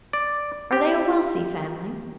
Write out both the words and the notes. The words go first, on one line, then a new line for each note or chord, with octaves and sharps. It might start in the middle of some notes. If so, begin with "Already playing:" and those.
"Are they a wealthy family?"
D5
G4